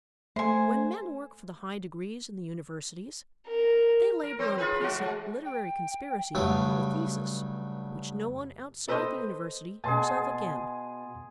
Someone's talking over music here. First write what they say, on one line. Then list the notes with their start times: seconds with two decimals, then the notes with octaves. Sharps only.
When men work for the high degrees in the universities, they labor on a piece of literary conspiracy called a thesis which no one outside the university hears of again.
0.36 A3 C5 G#5
3.47 A#4
4.23 A#4
4.39 C4 C5 C#5
4.57 F4 G#4 B4
4.80 C#3 G#3 F#4
5.01 G#3
5.45 G5
6.35 G2 C#3 F#3 A3 B4 D6
8.88 A4 B4 C5 D#5 G5
9.84 B2 G#4 G#5 A5 C6